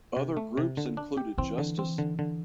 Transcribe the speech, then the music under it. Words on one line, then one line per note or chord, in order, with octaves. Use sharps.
Other groups included Justice?
C3
A3
C3
D3
D4
G4
E3 C4
D3
C4
D3
D3